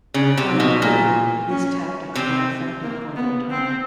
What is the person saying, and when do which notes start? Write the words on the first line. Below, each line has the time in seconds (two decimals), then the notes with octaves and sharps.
While crude, these tactics were effective for their time.
0.14 C#3 D4
0.37 C3
0.48 D#4
0.60 B2
0.82 A#2
1.49 C#4
2.15 C3 C4
2.83 A#3
3.16 B3
3.50 C4